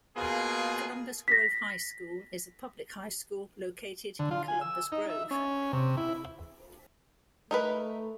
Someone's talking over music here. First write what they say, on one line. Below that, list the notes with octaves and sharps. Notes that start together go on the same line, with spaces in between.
Columbus Grove High School is a public high school located in Columbus Grove.
B2 A#3 F4 G#4
A#6 B6
D3
F4
G#5
E6
D#4
E5
C#4
C3
E4
A3 D#4 A#4 B4